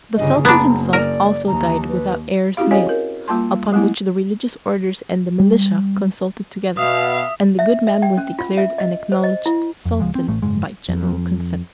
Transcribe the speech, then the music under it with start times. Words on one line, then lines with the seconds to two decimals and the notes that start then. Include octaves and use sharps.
The sultan himself also died without heirs male; upon which the religious orders and the militia consulted together, and the good man was declared and acknowledged sultan by general consent.
0.16 G1 C#3 D#5
0.45 F#1 B3 D4 A#5
0.93 A#4 D5
1.47 D#2 A#5
1.89 B4
2.57 C4 C#4 E4 F#4 G4 F5
2.71 F#4 G#4 C#5 D#5 F5 G#5
2.89 A#4
3.28 G3 A#3 F4 A5 C6
3.52 G3
3.72 F#3 G#3 A3 B3 E4
5.40 G3
6.77 B2 E5 F5 D#6
7.59 E5
7.87 E5
8.02 G5
8.18 C#4
8.39 F4
8.57 E5
8.78 D#5
9.12 C5
9.24 D#5
9.46 E4
9.85 F2
10.00 C#2 F3 G#3
10.15 C4
10.28 A1 A3
10.42 F#1 G#2 G#3
10.88 F2